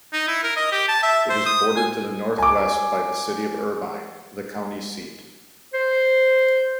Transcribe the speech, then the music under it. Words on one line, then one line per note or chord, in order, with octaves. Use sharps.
It is bordered to the northwest by the city of Irvine, the county seat.
D#4
E4
A#4
D#5
G4
A5
E5
C5
D#6
G#5
G#5 D6
C5